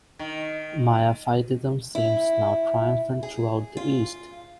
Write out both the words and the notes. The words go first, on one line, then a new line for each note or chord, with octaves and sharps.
Miaphysitism seemed now triumphant throughout the East.
D#3
E4
G#4
F4